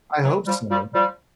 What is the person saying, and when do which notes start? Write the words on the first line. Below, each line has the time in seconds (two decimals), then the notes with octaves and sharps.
I hope so.
0.23 E3 F#3
0.46 F3 G3
0.70 F3 G3
0.93 F3 G3